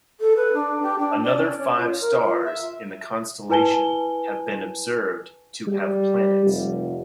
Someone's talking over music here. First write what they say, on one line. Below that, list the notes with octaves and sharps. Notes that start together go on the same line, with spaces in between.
Another five stars in the constellation have been observed to have planets.
A4
B4
D4
G4
D4
D5
C#4
C#5
F4
A#4
F4
E5
E4 B4 G#5 A5 G7
G3
F1